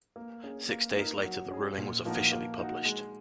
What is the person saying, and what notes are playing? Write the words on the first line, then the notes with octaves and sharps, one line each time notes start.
Six days later the ruling was officially published.
A#3
C#4 G#4
A#3
D#4 A#4
F#3
C#4 G#4
A#2
F3 A#3 D#4 F#4
A#3
D#4 F#4
G#3